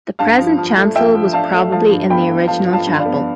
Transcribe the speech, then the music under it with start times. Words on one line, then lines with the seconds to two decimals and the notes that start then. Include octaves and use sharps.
The present chancel was probably in the original chapel.
0.19 G2 F5 A5
0.38 F3
0.58 F3
0.77 A3
0.96 F3 E5 G5
1.14 F3
1.33 D4 F5 A5
1.53 A3
1.72 F3 F5 A5
1.91 G2
2.10 B3 G5 B5
2.29 B3
2.48 F3 F5 A5
2.68 F3
2.73 F5 A5
2.87 G2
2.99 D5 F5
3.06 B3